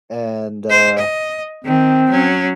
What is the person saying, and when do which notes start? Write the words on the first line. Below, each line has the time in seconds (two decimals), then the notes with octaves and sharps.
and, uh,
0.70 C5
0.99 D#5
1.65 D#3 C4
2.11 F#3 C#4